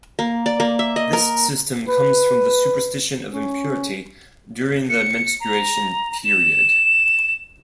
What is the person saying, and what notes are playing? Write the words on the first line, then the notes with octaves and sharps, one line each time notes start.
This system comes from the superstition of impurity during the menstruation period.
A#3
D5
A#3
E5
D#5
A#4
B4
C#4
C#7
A#5
E7